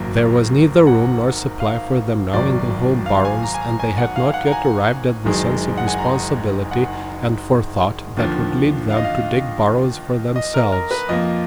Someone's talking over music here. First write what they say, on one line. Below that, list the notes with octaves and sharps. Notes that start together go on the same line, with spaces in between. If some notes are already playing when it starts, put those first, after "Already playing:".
There was neither room nor supply for them now in the home burrows, and they had not yet arrived at the sense of responsibility and forethought that would lead them to dig burrows for themselves.
Already playing: G#1 F#2 D#3 A#3
F#5
F5
G#1 F#2 D#3 D5
F5
G#5
A#5
G#5
A#5
G#5
F#5
F5
F#5
A#5
G#5
F#1 F#2 D#3 G#3
F#5
G#5
A#5
F#5
D#2 D3 F3
F5
D#5
F5
D#5
A#4
A#4
B4
F2 F3 A#3 D#5